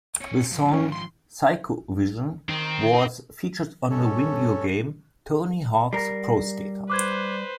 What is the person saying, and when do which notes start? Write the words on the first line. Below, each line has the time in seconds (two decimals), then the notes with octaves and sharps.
The song "Cyco Vision" was featured on the video game "Tony Hawk's Pro Skater".
0.21 C4 C#5
0.51 G#2 F3
0.73 C#4
0.92 C6
2.49 D#3 C4
2.94 D#4
3.91 G2 C#4 A4 C#5
5.93 G3 A#4 A#6 C7
6.90 B4 C5 D6 F#6 G#6